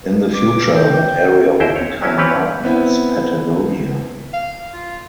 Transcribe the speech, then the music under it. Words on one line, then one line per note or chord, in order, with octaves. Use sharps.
In the future that area would become known as Patagonia.
B4
D6
A4 G6
G5
D#2 E4 A#4 C5 G5
C#5
F#3 C#4 E4
E3 C4 C#4 G4 B4 C#5
B3 C4 E4
F5
F4